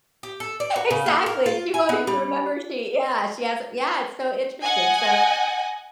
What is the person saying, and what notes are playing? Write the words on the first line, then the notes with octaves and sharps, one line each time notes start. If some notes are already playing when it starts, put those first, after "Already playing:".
Exactly, she won't even remember, she yeah, she has yeah, it's so interesting, so,
G4
A4
D5
F#4
C#3
A#3
A#4
F4
G#5
B3
G3
D#5 F#5 G#5